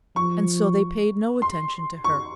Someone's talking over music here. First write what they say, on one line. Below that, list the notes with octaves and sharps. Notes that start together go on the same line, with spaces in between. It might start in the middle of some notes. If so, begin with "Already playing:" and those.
And so they paid no attention to her.
F3 C#6
C6
C#6